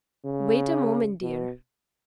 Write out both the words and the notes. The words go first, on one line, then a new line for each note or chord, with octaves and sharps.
Wait a moment, dear.
C#3
B2